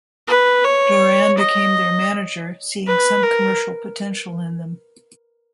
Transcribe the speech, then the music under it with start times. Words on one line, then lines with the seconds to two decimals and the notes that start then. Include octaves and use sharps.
Doran became their manager, seeing some commercial potential in them.
0.27 B4
0.63 C#5
1.38 D#5
2.87 B4
3.23 A#4